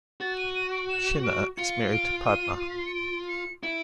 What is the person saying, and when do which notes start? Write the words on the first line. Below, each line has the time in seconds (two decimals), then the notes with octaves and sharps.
Chinna is married to Padma.
0.21 F#4 A6
0.38 D#7
0.55 D#7
0.72 D7
0.89 E7
1.24 D7
1.57 F4 C#7
1.92 D7
2.26 D#7
2.60 D#7
2.70 B6
2.78 C7
2.86 C#7
2.94 D7
3.28 C#7
3.63 E4 D7